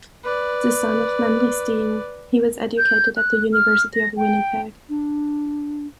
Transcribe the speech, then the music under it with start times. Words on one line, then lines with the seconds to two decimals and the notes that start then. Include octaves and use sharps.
The son of Manley Steen, he was educated at the University of Winnipeg.
0.24 B4 D5
2.77 G6
3.16 F#6
3.53 F6
3.93 A#6
4.16 G5
4.89 D4